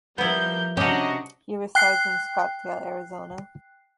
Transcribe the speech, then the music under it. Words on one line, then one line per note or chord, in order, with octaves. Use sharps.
He resides in Scottsdale, Arizona.
F3 G3 B3 E4 A#4 G6
C3 C#4 D4 F#4 G4 D#5 F#5 A#5
G5 F#6 C7